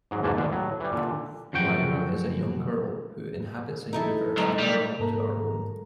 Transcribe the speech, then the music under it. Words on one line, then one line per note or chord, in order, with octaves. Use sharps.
Lyra is a young girl who inhabits a universe parallel to our own.
G#2 F#3
B1 E2 G#2 A#3 F#4 A5
D#2 B2 D3 F3 D4
A2 F#3
E3 G3
A#2 D3
F#2 F3 F#4 G5
D#4 E4 A4
B1 G#2 D#4
G3
G#2 A#3 A4 A#4 A#5